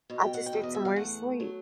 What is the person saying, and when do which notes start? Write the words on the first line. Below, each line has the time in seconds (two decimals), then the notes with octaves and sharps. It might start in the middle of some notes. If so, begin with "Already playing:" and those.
I just need somewhere to sleep.
0.10 B2
0.21 G5
0.34 F#5
0.46 G5
0.53 E2
0.63 D#5
0.75 E5
0.85 F5
0.96 A3 F#5
1.40 F#3